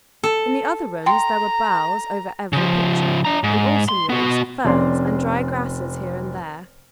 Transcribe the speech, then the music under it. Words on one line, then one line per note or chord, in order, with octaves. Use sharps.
In the other rooms there were boughs over every picture, and autumn leaves, ferns, and dried grasses here and there.
A4
G5 A#5 C6
C#3 F3
D4 A#5
G#2
C6
B3 F#4
F1 C4 C#4 D5 C6